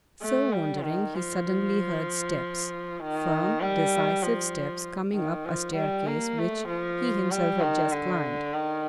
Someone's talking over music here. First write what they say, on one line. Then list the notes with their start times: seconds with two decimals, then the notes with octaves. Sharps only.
So wandering, he suddenly heard steps, firm, decisive steps coming up a staircase which he himself had just climbed.
0.22 A3
0.53 G3
0.84 D#3
1.15 F3
3.00 D#3
3.61 G3
4.23 F3
5.15 D#3
5.46 F3
5.76 G3
6.07 A#3
6.38 A3
6.68 F3
7.31 G3
7.62 D#3
7.92 D3
8.54 D#3